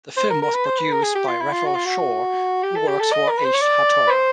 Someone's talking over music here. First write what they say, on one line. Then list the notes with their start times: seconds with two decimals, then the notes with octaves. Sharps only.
The film was produced by Raphael Shore, who works for Aish HaTorah.
0.17 C5
0.30 A#4
0.42 A#4
0.54 B4
0.66 C5
0.79 B4
0.92 A#4
1.03 G#4
1.15 G4
1.28 F4
1.41 E4
1.52 F4
1.65 F#4
1.75 F4
1.86 F#4
2.63 G4
2.76 A4
2.88 G4
3.00 A4
3.13 D#5
3.30 A#4
3.38 B4
3.45 C5
3.54 C#5
3.62 D5
4.07 B4
4.11 C5